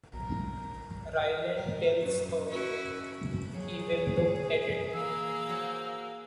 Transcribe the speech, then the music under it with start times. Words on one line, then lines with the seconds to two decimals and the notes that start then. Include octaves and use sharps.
Raylan tells her he will look at it.
0.13 B1 A#4
1.54 A#4
2.01 F#2
2.50 C#4 E4 F#4
3.54 F#3 G#4 C#5
4.93 E3 A#3 F5 E6
5.49 F#4 C5 C#5